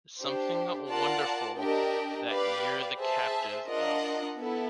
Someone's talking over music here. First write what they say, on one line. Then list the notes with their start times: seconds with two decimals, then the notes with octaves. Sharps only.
Something wonderful, that you're the captive of.
0.19 D4 G4 C5
0.88 F4 A#4 D5 F#5 A5
1.58 D4 G4 A#4 D#5 G5
2.28 G4 B4 D5 F5
2.98 G#4 C5 E5 A5
3.68 D4 F4 A#4 D#5 F#5
4.37 B3 E4 A4